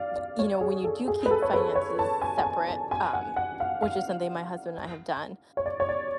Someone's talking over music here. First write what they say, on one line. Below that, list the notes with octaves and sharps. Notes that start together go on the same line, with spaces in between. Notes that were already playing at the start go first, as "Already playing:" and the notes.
y you know, when you do keep finances separate, um, wh which is something my husband and I have done,
Already playing: D5 F5
D5
C#5
G#4
A4
G#4
B4
A4
C#5
B4
C#5
A5
G#5
G#5
A5
A5
G#5
F#5
F#5
F5
F5
C#5
D5
C#5
D5